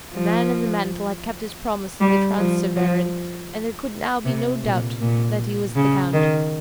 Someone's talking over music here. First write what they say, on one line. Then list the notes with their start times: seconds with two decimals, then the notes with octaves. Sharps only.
The man in the mantle had kept his promise to the Transteverin, and there could now be no doubt that he was the count.
0.12 F3
2.00 G3
2.38 F3
2.76 F3
4.25 C3
4.63 A#2
5.01 A#2
5.76 C#3
6.13 D#3